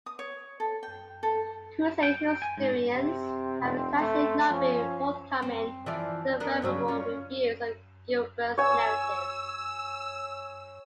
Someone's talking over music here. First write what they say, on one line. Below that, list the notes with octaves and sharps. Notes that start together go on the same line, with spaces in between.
Crusade historians have traditionally not been forthcoming with favourable reviews of Guibert's narrative.
D#6
C#5
A4
G5
A4
G5
G#5
G#2
C3 C4
F1
A3
F3 C#4
C4
E3 F3 D5
B3 D4 A#4
G2 C#3 F#3
C#4 F4
C#5 G#5 E6